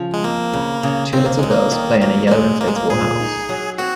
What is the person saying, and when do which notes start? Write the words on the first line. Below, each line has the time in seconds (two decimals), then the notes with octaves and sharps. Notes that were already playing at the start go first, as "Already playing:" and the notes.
Two little girls play in a yellow inflatable house.
Already playing: C#3 F3
0.14 G#3
0.24 A#3 C4
0.53 C#3
0.83 C#3
1.13 D#2 C4
1.26 A#3
1.38 D#2 G#3
1.51 A#3
1.71 D#3
2.01 F#3 A#3
2.27 A#3
2.31 D#2 G#3
2.61 D#2 A#3
2.68 G#3
2.76 A#3
2.90 A#2 G#4
3.20 D#4
3.49 F#3
3.78 C4 F#4